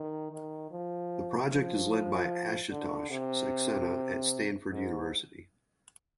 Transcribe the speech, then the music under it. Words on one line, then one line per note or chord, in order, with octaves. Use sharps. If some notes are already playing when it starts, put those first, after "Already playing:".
The project is led by Ashutosh Saxena at Stanford University.
Already playing: D#3
D#3
F3
F3
D3
C3
G#2